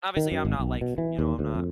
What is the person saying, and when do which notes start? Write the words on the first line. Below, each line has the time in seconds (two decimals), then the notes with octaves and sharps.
Obviously, I'm not like, you know, I'm not
0.17 D#3
0.32 F#2
0.45 G#1
0.60 B1
0.81 B2
0.98 E3
1.19 D#2
1.39 D2
1.55 F2